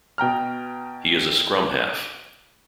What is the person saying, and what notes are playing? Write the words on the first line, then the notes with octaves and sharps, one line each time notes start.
He is a scrum half.
B2 G5 A#5 F6